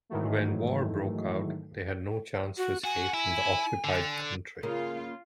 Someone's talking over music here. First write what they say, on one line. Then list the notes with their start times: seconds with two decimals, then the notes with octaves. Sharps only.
When war broke out, they had no chance to escape from the occupied country.
0.09 G#2 D#3 E3 F#3 A3
2.57 F#4
2.84 F#4 G#5
3.14 E4
3.84 D3
4.63 C#3 A#3 F4